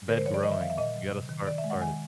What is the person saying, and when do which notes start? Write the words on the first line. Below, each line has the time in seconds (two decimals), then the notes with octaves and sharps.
Bed growing. We gotta start start it.
0.08 D3 A#4
0.17 C5
0.26 F3 C#5
0.34 D5
0.43 D#3 D#5
0.52 E5
0.61 G3 F5
0.70 E5
0.78 A#2 D#5
0.96 F#3
1.12 C3
1.29 D#3
1.47 D#3 D5
1.58 E5
1.64 G#3
1.70 F#5
1.81 D#3 G#5